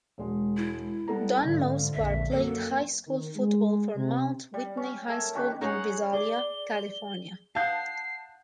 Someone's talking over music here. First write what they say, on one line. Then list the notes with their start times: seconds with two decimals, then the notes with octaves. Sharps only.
Don Mosebar played high school football for Mount Whitney High School in Visalia, California.
0.18 E1 G#3
0.57 E4
1.08 G3 B3 A4 A#5
1.45 G#2 D3 F3
1.93 A#1 F2 G#2 E5
2.31 F#2 F#3 A#3 A4
3.07 D#3
3.37 G#3
3.96 C3
4.54 G3
4.77 C#4
5.08 A4 A#4 E5 G#5
5.35 D#3 C#4 G4 B4
5.61 C#4 D#4 G#4 C#5 F#5
6.13 G#4 D5 D6 G7
7.55 F5 F#5 A5 D#6 G6 C7